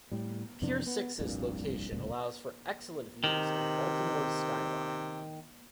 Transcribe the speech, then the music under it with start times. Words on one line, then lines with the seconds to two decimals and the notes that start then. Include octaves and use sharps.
Pier Six's location allows for excellent views of Baltimore's skyline.
0.12 A2 G3
0.62 F2 C3 E3 D4
0.87 B3
1.19 F1 C2 G2 A#2
1.92 D1 C#2 A#2
3.24 C3 D#3